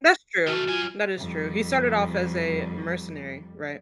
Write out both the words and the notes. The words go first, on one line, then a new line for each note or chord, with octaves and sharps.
That's true. That is true. He started off as a mercenary, right?
E2 A3 F#4 F6
F#3 F4 G#5
F2 G3